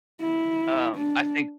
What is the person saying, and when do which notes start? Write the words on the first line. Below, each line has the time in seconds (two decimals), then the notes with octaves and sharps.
um, I think
0.21 E4
0.96 D4